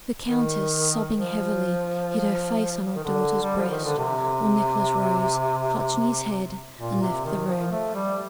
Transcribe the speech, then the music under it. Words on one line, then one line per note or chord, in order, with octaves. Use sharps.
The countess, sobbing heavily, hid her face on her daughter's breast, while Nicholas rose, clutching his head, and left the room.
D#3
F3
D#3
D3
G3
F3
D#3
D3
C3
A#2
C3
D#3
F3
A3
G3